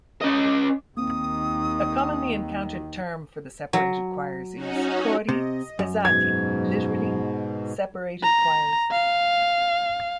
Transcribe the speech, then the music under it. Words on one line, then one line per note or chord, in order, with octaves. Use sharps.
A commonly encountered term for the separated choirs is "cori spezzati"-literally, separated choirs.
C#4 D#5
D#2 D#3 A#3 C4 D#6
F#3
C#4 D#4 F#4
C3 D#5
F#2
G#2 B2 G#6
A#5
F5